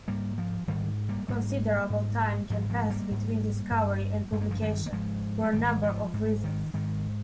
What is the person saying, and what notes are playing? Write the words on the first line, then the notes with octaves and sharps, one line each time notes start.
Considerable time can pass between discovery and publication, for a number of reasons.
G#2 G3 A#3
F3
G#2 D#3 G3
G3 A#3
G#2 G3 A#3
G#2
G#2 F3 G#3
F3 G#3
G3 A#3
G#2
G2
G2 G#3
A#3
F3 G#3
D#3 G3
A#3
G#2 F3 G#3
G#3
G#2 D#3 G3
F3
G#2
D#3
G#2 D#3